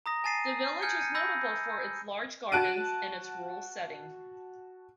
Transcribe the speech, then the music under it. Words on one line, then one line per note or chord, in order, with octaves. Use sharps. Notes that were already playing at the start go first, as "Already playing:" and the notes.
The village was notable for its large gardens, and its rural setting.
A#5 D#6 A#6
G#5 A5 A6 C7 D#7
G#5 F6 G6 G#6 C#7
C#7 D#7
B5 E6 G6 A#6
F#4 A5 F#6 D7 D#7